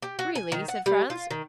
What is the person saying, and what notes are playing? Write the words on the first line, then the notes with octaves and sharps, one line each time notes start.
"Really?" said Franz.
G4
F#4
G#5
D#3
F#5
G3
F4
D#3